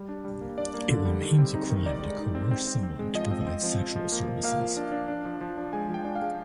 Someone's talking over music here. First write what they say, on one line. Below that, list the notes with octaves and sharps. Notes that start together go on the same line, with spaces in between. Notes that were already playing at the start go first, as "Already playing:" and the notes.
It remains a crime to coerce someone to provide sexual services.
Already playing: G3
D4
G3
A#3
D4 D5
A#3
D3
G3
D#3
C4
D#4
D#3
D#4 D5
G#3
D#4
C4
C4
C4
C4
G#3
F3 D#5
C4
C4
F3
F3
F3
A#3
F3
A#3 F5
F3
D4
D4
D4
F3
F3
D4
G#3 G#5
F3 G5
D4
F5
G#3